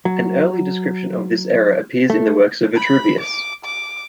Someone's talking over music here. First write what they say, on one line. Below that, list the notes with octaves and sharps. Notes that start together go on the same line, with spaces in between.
An early description of this error appears in the works of Vitruvius.
F#3
A3
B5
D6
D6